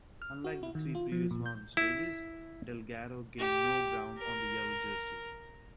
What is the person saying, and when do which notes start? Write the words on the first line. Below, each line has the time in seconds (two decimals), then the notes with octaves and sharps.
Unlike the three previous mountain stages, Delgado gained no ground on the yellow jersey.
0.22 F6
0.44 F#4
0.63 E4
0.75 D#3
0.95 F4
1.12 F3
1.31 A#2
1.46 G6
1.77 E4
3.39 G4
4.19 A#4